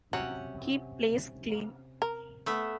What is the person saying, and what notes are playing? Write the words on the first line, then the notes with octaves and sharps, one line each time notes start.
Keep place clean!
C3 F#3 C#4 F#5
A#4
A3 B3 E5